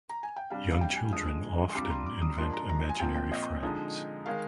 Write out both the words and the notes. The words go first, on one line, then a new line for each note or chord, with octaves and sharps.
Young children often invent imaginary friends.
A#5
G#5
G5
C3 G3 D4 F5
F5
G5
G#5
D3 F3 G#3 D#6
C6
C3 G3 D4 F4 D6
A#5
C6
D6
D#6
G#2 F3 A#3 D4 C6
A#5
A#5
G#5
A#2 F3 C4 G5
G5
D#5
D3 F3 G#3 D#4
D#3 G#3 F5